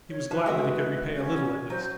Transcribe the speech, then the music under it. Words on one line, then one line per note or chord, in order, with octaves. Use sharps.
He was glad that he could repay a little at least.
C#5
F3 B4
G#3 F#4 E5
C#4
F#3 C5